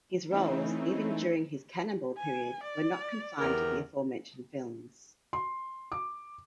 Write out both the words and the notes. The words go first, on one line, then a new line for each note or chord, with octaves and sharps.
His roles, even during his Cannonball period, were not confined to the aforementioned films.
E3 A3 C4 C#4 D#4 E4
G#5
D5
E2 G4 A#4
C6
D6